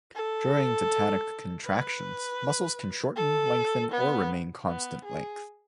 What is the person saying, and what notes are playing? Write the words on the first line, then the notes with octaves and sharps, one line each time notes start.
During tetanic contractions, muscles can shorten, lengthen or remain constant length.
A4
B4
A4
B3
B3
G#4